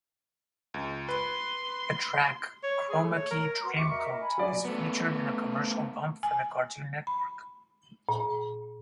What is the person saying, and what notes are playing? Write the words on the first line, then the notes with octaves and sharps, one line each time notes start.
The track "Chromakey Dreamcoat" is featured in a commercial bump for the Cartoon Network.
C#2
B4 C6
C#5
G#4
A3
C#5
A#4
F#4 B4 C6
E5 C#6 D6 C#7
A#4 D#5 E5
G#5 B5
F#3 D5
A3 B3
G#5
B5
A#2